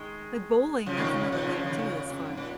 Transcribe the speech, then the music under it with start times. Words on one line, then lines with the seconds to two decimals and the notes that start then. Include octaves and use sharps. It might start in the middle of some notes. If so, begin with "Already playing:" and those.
Like bowling, that's another thing too that's fun
Already playing: D#3 G#3
0.86 C#3 F3
0.97 A#2 D#3
1.10 C#3
1.21 A#2
1.32 A#2 D#3
1.44 C#3 F3
1.55 C#3 F3
1.67 A#2 D#3
1.79 C#3
1.95 A#2
2.10 F2
2.25 G#2
2.37 A#2